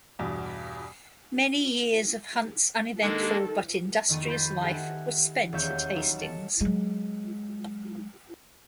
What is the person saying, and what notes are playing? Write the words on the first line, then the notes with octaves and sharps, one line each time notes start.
Many years of Hunt's uneventful but industrious life were spent at Hastings.
E2 G2 B2
D#3 G#3 A#3 D4 A4
F2 D#3 A3 B3 D#7
C5 B5 G6 A6
G4 A4 E5 F#5 G#5
D#1 E2 C#5 E5 F5 G6
F#3 G3 D#4
A4 C#7 E7
F#3 G#3